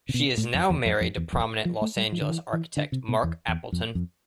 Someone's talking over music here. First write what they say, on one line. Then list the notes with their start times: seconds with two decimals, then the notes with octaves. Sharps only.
She is now married to prominent Los Angeles architect Marc Appleton.
0.09 C3
0.14 B2
0.37 A2
0.54 F2
0.70 E2
0.85 F2
1.01 F2
1.17 E2
1.33 F2
1.65 F3
1.81 A3
1.96 G3
2.12 F3
2.21 D3
2.29 E3
2.53 E3
2.77 D3
2.92 C3
3.08 B2
3.23 E2
3.48 E2
3.72 F2
3.95 F2